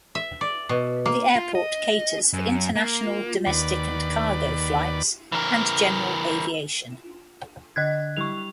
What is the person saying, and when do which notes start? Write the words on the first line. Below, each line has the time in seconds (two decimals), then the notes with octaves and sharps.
The airport caters for international, domestic and cargo flights and general aviation.
0.15 E5
0.41 D5
0.69 B2
1.06 A#3
1.36 F4
1.55 D#5
2.33 F#2
2.76 A#3
3.46 D#2 B4 D5
5.32 E3 A#4
7.76 D3 D#5 F#6 G#6
8.17 G3 E4 C#6 C7 F7